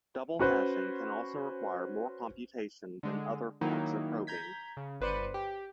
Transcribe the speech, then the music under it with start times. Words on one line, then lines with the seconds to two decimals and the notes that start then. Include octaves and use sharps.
Double hashing can also require more computation than other forms of probing.
0.39 C#4 F#4 B4 C5
3.03 D3 G#3
3.61 D#3 F#3 A#3 D#4 E4
4.27 A#5 G6 G#6 B6
4.77 C#3
5.01 G1 B4 C5 D5 C#7 D#7
5.34 G4